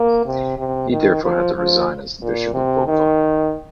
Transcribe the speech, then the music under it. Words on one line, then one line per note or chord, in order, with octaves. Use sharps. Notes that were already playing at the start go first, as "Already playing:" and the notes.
He therefore had to resign as bishop of Bova.
Already playing: A#3
C3
C3
D#3
F3
F3
A#2
C3
D#3